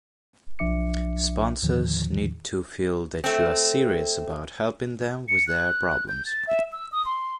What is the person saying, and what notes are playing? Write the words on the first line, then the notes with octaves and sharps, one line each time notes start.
Sponsors need to feel that you are serious about helping them with their problems.
B1 F3 D4 E5 D6 C#7
D#2 A2 D3 D#3 F3
A3 C4
C#7
F#6
G6
A6
E5
E6
D#6
C6